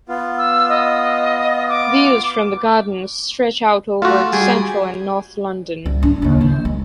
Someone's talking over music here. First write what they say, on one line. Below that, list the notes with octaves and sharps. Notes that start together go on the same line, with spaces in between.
Views from the gardens stretch out over central and north London.
B3 F4
E6
D#5
D6
A3 F4 F#4
G3 G#4
C2 G3
D4 E4
D#2 C#3
E3
G#3